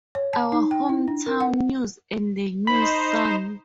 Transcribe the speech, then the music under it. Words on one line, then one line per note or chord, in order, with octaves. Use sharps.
Our Hometown News and the News-Sun.
C#5
A5
D#4
G5
E4
D4
A#4
F#5
D#4 C5 B5